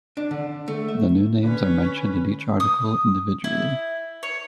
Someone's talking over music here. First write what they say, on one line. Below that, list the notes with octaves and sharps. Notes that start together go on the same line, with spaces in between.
The new names are mentioned in each article individually.
D4
D3
A3
E5
D3 C#4 B4
D#6
E4
C#5